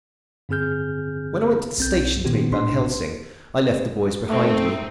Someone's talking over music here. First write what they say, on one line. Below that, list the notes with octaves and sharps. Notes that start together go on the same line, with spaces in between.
When I went to the station to meet Van Helsing I left the boys behind me.
G2 D3 C4 G#4 F6 G6
B1 C4 G6
A#2 D#3 B3 F#4 G4
A#1 A2 D4 C6
A3 C4 D#4